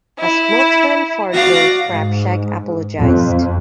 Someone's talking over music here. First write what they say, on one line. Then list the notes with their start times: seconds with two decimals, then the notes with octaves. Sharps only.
A spokesman for Joe's Crab Shack apologized.
0.19 E4
1.34 F#4 D5 F5 A#6
1.87 G#2
2.98 F2